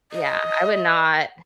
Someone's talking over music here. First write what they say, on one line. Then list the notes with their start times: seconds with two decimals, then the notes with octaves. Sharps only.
Yeah, I would not
0.12 D#5